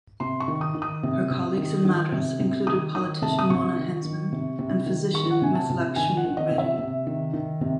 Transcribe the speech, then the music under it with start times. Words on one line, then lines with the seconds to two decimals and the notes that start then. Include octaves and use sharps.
Her colleagues in Madras included politician Mona Hensman and physician Muthulakshmi Reddy.
0.20 C3 C6
0.40 C#6
0.48 D#3
0.61 D#6
0.75 D#3
0.82 D#6
1.03 C3
1.30 C3
1.57 D#3
1.85 D#3
2.12 C3
2.40 C3
2.67 D#3 D#6
2.95 D#3 D#6
3.22 C3 A5
3.39 D#6
3.50 C3 C#6
3.77 D#3
4.05 D#3
4.32 C3
4.59 C3
4.86 D#3
5.14 D#3 C#6
5.31 F#5
5.42 C3 G#5
5.55 A5
5.70 C3
5.96 D#3 G#5
6.17 F#5
6.24 D#3
6.37 D#5
6.51 C3
6.58 E5
6.78 C3
7.07 D#3
7.34 D#3
7.61 C3